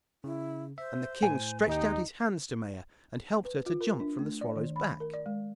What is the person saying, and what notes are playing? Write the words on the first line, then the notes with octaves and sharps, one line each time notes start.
And the king stretched out his hands to Maia, and helped her to jump from the swallow's back.
C#3 E4
C5 E5
A2 G#5
D#2 D#4 G4 D#5 G5
B4
F4
A#4
D4
A3
D5
D#3
B5
A#4
D5
G#3